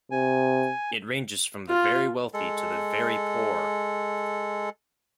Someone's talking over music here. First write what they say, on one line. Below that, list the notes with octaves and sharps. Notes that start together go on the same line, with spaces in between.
It ranges from the very wealthy to the very poor.
C3 G#5
F4
G#3 A4